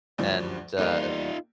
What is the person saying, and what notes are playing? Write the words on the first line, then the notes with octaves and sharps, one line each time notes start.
And, uh
D2 G2 F3
E2 G3 A#3 D#4 F4 A#4